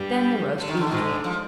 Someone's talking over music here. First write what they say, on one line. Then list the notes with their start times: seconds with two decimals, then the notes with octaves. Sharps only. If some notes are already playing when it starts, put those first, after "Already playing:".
Then the roast beef came.
Already playing: G2 G3
0.58 D3
0.68 D#3
0.77 D3
0.87 D#3
0.92 G#2 D3 G#3
1.24 F3